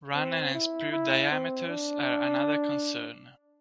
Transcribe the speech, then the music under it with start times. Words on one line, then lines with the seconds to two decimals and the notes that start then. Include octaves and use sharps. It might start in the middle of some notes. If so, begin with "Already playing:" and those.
Runner and sprue diameters are another concern.
0.15 C4
0.54 E4
0.91 E4
1.31 C4
1.69 D4